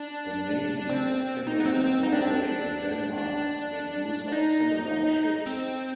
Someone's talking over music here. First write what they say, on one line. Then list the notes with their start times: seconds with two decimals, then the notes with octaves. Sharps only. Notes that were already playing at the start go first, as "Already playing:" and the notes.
The navies of Finland, Norway, and Denmark made use of similar ships.
Already playing: D4
0.81 D4
0.90 C4
1.47 D#4
1.60 B3
1.66 C4
1.85 C4
2.03 D#4
2.12 D4
2.21 C4
2.30 D4
3.18 D4
4.28 D4
4.32 D#4
5.46 C4